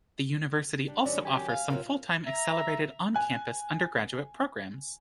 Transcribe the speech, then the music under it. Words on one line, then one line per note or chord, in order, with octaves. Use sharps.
The university also offers some full-time accelerated on-campus undergraduate programs.
G3 D4
D#3 F#3 C#4 D5
G4 G#5
F5
C3 F3 F#3 A#4
E5 A#5
G#5 F#6